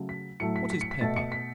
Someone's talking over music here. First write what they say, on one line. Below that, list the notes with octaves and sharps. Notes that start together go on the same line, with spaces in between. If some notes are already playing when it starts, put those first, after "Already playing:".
What is Pepper?
Already playing: C#3 F#3 A3
B6
A2 F#3 A3 C#7
B6
B6
C#7
B6
B2 A3 A6
C#7
B6